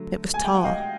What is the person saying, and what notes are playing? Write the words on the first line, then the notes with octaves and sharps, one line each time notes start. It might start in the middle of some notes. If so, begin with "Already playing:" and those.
It was Tall.
Already playing: D3 F#3 A3
G#5
G5
F#5
D#5 F5